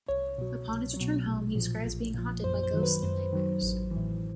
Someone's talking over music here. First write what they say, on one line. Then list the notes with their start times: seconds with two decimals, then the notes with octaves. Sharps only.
Upon his return home, he describes being haunted by ghosts and nightmares.
0.08 C2 C#5
0.38 B2 F#3
0.68 C2
0.96 B2 F#3
1.26 A#1
1.55 A#2 F3
1.85 A#1
2.14 A#2 F3
2.44 F#2 C5
2.63 C5
2.74 D#3 F#3
2.83 B4
3.02 F#2 C5
3.33 D#3 F#3
3.62 A1
3.91 A2 E3